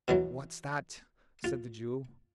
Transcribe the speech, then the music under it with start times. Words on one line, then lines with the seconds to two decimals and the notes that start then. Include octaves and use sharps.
'What's that?' said the Jew.
0.08 B2 E3 F#3
1.44 F4